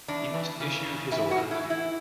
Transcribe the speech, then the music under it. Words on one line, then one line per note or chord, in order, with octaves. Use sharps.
He must issue his orders.
E2 D4
E3
C#3
E2
E3 E4
F#4
A2
E4
E3
E4